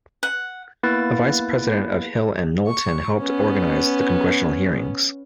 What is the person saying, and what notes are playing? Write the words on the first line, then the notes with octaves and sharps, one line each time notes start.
A vice president of Hill and Knowlton helped organize the congressional hearings.
F#5
A#3 B3 E4 B4 A6
C#6
B3 C#4